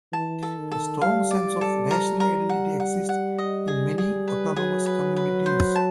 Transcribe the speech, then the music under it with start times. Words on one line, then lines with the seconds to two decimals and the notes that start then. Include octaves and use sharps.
A strong sense of national identity exists in many autonomous communities.
0.12 E3 A5
0.43 A4
0.58 D#3
0.72 A4
1.01 G3 F5
1.31 D5
1.61 A4
1.91 A#4
2.20 A#4
2.49 F#5
2.80 F#5
3.09 F#5
3.38 D#5
3.68 G#4
3.98 G#4
4.28 B4
4.56 F#3 G#4
4.86 B4
5.16 B4
5.46 C5
5.76 A5